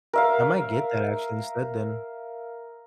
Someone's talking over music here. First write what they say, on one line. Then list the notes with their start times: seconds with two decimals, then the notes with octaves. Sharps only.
I might get that actually instead then,
0.13 A#4 E5 F5